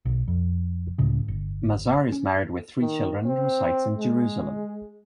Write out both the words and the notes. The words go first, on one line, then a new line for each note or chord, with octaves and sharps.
Mazar is married with three children and resides in Jerusalem.
B1
F2
C#2 A2 C#3
G1
C#4
D#3
C4
G#3